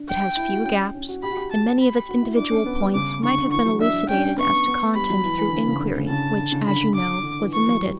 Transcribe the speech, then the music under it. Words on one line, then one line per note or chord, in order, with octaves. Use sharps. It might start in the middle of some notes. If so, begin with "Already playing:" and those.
It has few gaps, and many of its individual points might have been elucidated as to content through inquiry, which, as you know, was omitted.
Already playing: D4
G5
E4
F#4
C#4
C#4
F#4
G4 B5
F#4
G4
A5
B5
F#4
E4
D4 D6
C#4
B3
G3
C#3 D6
D3 C#6
D3
E3 C#6
F#3
D4 E5
C#4 G5
D4
C#4
B3 C#6
B3
G3 B5
F#3
E3
E3
D3
C#3
D3
C#3
C#3 A5
D3
C#3
D3 B5
D6
D3
E3
E3 C#6
F#3
G3